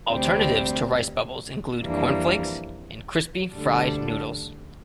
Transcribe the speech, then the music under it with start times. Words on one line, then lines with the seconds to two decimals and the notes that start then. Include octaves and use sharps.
Alternatives to Rice Bubbles include Corn Flakes and crispy fried noodles.
0.10 D2 C3 G3 C4
1.82 F2 E3 G3 A#3 D4
3.54 D2 D3 G3 D4 A4